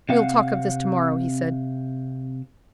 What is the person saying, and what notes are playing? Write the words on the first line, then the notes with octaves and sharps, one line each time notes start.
"We'll talk of this to-morrow," he said.
C3 C4 F5 F#5